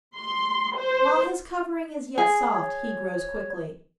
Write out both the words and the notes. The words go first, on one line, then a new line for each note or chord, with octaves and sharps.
While his covering is yet soft he grows quickly.
C6
C5
G#4
C#5